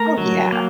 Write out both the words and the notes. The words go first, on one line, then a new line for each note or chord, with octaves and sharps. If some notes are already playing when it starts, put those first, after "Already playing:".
Oh, yeah.
Already playing: A3 A#4 A#5
F#3
A#3